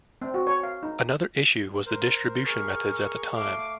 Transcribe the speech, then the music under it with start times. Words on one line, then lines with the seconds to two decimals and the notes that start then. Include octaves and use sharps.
Another issue was the distribution methods at the time.
0.22 C4
0.34 F#4
0.47 C#5
0.63 F5
0.83 D#4
1.86 A#4 C5
2.44 G#4 A#4 C#6 F6
3.36 A3 F5 D6